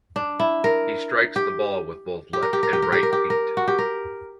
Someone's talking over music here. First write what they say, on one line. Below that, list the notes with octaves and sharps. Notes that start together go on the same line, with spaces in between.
He strikes the ball with both left and right feet.
D4
E4
A#4
G4
G4
A#4
G4
A#4
G4
A#4
G4
A#4
G4
A#4
F#4
G4
A#4